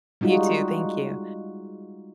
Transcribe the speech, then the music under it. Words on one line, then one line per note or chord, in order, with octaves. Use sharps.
You too. Thank you.
G3 G#3 D#4 F4 F#4